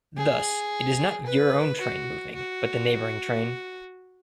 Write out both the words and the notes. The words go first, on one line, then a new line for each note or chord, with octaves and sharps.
Thus, it is not your own train moving, but the neighboring train.
G#4
B4
F#4
F#4